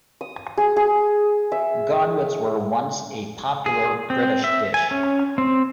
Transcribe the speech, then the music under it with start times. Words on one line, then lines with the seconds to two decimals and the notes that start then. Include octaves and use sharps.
Godwits were once a popular British dish.
0.21 D#6
0.57 G#4
0.76 G#4
1.52 E5
3.66 G#4
4.10 C4
4.44 E5
4.74 G#5
4.91 C#4
5.38 C4